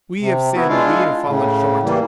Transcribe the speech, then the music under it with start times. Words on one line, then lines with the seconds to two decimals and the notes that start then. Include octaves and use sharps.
We have sinned, we have fallen short.
0.19 C3
0.55 B3 E4 F#4
0.69 G#3 D4 E4 F4 F5
1.26 A2 C#3
1.84 E3 G3 A#3